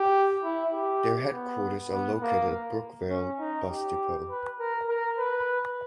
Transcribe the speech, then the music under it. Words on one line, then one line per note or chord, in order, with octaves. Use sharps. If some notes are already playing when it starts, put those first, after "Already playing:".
Their headquarters are located at Brookvale bus depot.
Already playing: G4
E4
G4
B3
B3
A#3
C#4
D#4
G4
B4
A#4
A#4
B4